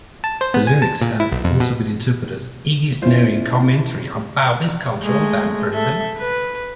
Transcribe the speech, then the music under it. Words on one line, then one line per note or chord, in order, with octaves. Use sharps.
The lyrics have also been interpreted as "Iggy's knowing commentary on Bowie's cultural vampirism".
A5
C5
B3
G#5
A5
A#2
E4
B1
F2
B2
A3 C#4 E4 F4 C5
G#3 A3
A4 E5
B4